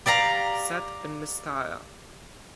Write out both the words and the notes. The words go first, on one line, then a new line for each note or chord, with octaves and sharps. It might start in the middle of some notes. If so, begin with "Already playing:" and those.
Set in Mystara.
G4 D5 F5 A#5